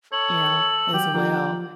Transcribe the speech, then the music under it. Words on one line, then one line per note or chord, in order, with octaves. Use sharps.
you know, as well,
A4 C#5 F#7
F#3 G4 G5
F3 A#3 G4